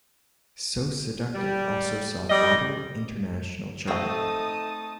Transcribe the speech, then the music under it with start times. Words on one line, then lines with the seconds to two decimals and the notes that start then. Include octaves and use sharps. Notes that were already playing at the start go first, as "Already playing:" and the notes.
"So Seductive" also saw moderate international charting.
1.35 G3
2.30 G3 D#5
3.87 A3 C4 D#4 D#5 A5 C#6 D#6